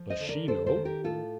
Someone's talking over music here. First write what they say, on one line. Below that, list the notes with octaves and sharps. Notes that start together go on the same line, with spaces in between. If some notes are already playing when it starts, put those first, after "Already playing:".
"Does she know?"
Already playing: F3
C5 D#5
D3
A#4 D5
G3 A4 C5
A4 C5
D#3
G4 A#4
A2 F4 A4